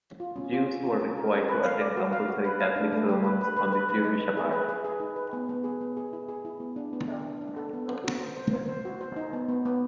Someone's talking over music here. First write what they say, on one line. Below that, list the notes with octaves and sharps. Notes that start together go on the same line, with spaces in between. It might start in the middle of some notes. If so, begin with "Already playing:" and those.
Jews were required to attend compulsory Catholic sermons on the Jewish "shabbat".
F4
C#4
F4
C#4
F4
C#4
A#4
C#4
B4
F5
D5
F#4
F5
F#4
B4
F5
D4
A3
G4
B4
B4
B4
B4
B4
D#4
B4
G#4
B4
G#4
G#4
D#4
B4
B3
B3
G#4
B3
G#4
E4
G#4
E4
B3
D4
B3
D4
D4
D4
A4
B3
C5
F#4
C5
C5
C5
C5
F#4
C5
D#4
B3
B3
B3